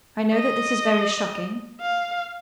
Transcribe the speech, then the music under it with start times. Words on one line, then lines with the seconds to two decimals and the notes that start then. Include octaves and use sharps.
I know that this is very shocking.
0.33 D#5
1.81 F5